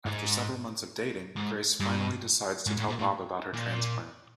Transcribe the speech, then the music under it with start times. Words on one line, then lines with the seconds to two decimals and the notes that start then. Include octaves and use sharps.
After several months of dating, Grace finally decides to tell Bob about her transplant.
0.06 G#2
1.37 G#2
1.80 G2
2.67 G#2
2.78 A2
2.88 A#2
2.99 A2
3.54 A#2